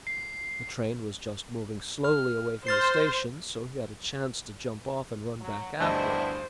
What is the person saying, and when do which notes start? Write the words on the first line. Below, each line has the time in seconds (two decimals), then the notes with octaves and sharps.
The train was just moving slowly away from the station, so he had a chance to jump off and run back after it.
0.07 C7
2.04 F6
2.67 C5 F6 A6 C7
5.40 F#3
5.80 D2 G2 G3 B3 D4 E4 C5 D#5